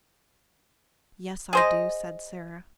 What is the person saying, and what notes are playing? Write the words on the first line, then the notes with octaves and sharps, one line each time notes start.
"Yes, I do," said Sara.
G#4 C5 D#5